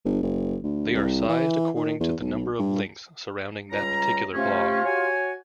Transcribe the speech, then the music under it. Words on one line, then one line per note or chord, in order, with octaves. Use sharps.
They are sized according to the number of links surrounding that particular blog.
G1
F#1
D2
C2
E3
D#3
E2
B1
G2
C#2 G3 A#5
C3 A3 C#4 F4 G4
F#4 C#5 G#5